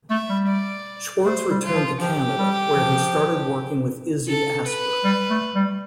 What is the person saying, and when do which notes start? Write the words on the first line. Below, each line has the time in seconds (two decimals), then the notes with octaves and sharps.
Schwartz returned to Canada, where he started working with Izzy Asper.
0.10 A3 E5
0.29 G3
0.48 D5
1.25 A3 C5
1.50 G3
1.63 F4
1.75 F3
2.01 F3 G4
2.38 G3
2.76 F3
4.28 A4
4.66 B4
5.04 G3
5.30 A3
5.55 G3